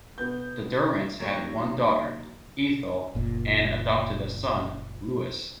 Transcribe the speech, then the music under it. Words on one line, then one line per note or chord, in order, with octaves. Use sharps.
The Durants had one daughter, Ethel, and adopted a son, Louis.
B2 B3 G6
D#2 F#3 C#5
F#1 A#2